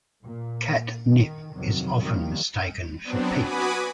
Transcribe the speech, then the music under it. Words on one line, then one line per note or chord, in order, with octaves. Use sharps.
Kat Nipp is often mistaken for Pete.
A#2
D#3
F2 C3 D#3 F#3
D#3 F3 G3 A#3
F#3 B3 C4 D4
F#4 B4 G#5 B5 D6 D#6